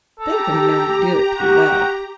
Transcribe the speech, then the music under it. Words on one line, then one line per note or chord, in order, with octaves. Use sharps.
They have been known to do it through love.
G4 A4 A#5
F#4